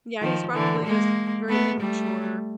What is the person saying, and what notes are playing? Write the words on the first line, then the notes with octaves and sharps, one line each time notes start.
Yeah. He's probably just very immature.
D#3 F3
D3 E3
G#3 A#3
A3 B3
G3 A3